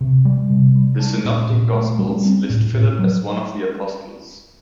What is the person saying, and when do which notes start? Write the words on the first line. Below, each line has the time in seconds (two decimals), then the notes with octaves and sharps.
The Synoptic Gospels list Philip as one of the apostles.
0.01 C3
0.25 G3
0.50 C3
0.75 G3
0.99 D4
1.25 A#2
1.50 A#2
1.75 A3
1.99 G3
2.25 C4
2.50 A2
2.74 A2
2.99 F#3